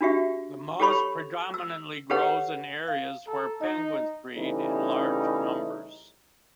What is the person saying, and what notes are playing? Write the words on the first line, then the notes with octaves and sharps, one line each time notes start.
The moss predominantly grows in areas where penguins breed in large numbers.
D4 F#4 G4 E5
G4 A4 C#5 B5 C#6
E6
G4 A4 B4 C#5 F#5
F5
A4 A#5
D#4 D#5
C#3 E3 G3 A3 C#4 D#4